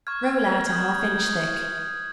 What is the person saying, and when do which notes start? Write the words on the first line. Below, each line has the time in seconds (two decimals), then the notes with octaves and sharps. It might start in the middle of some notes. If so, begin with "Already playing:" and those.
Roll out a half inch thick.
0.07 C#6 F6 G#6
0.68 D#6 G6 G#6